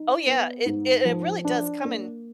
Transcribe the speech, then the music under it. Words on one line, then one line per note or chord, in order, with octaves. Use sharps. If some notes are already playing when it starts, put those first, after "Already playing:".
Oh yeah, it it it really does come in,
Already playing: D#4
B3
G#2
F3
D4
A#3